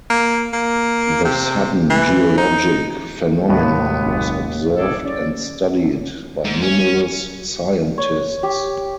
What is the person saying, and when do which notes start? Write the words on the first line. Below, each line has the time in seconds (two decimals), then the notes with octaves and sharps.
The sudden geologic phenomenon was observed and studied by numerous scientists.
0.10 A#3
0.53 A#3
1.25 C3
1.90 E3
2.38 D#4
3.49 D#2 A2 C3 G#3 B3 F#4
4.05 F#1
4.77 F#1 G#4 A4 D5
5.05 C#4 D5
6.45 G#2
6.62 C#4
7.98 C#5
8.43 G4